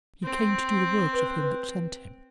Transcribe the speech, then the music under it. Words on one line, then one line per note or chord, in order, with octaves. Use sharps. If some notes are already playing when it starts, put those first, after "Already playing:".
He came to do the works of him that sent him.
C4
B4